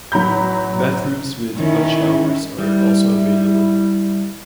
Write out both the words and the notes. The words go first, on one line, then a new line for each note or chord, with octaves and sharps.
Bathrooms with hot showers are also available.
A1 F#3 A#5 B5 G6
D#3 C#4 E4
G3 E4